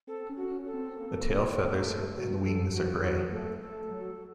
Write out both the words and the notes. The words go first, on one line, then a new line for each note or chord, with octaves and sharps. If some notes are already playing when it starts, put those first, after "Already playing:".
The tail feathers and wings are gray.
C4 A4
C#4
F#4
C#4
A4
C4
A#3
C4
A#3
A3 A4
F#3 F#4 A4
F3 A4
F3 F#4
F#3 F#4
A3 A4
A3 A4
F#3